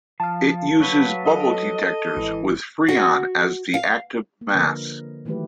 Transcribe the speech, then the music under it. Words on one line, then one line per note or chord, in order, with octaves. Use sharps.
It uses bubble detectors with Freon as the active mass.
F3 F5 A5
F#3 F#4 B4
A4 D#5
G#1 E3
F#4
F5
A#3
D3 F3 A#3 A#4 B4 D#5
D#3 E3 F#3 A3 G4 B4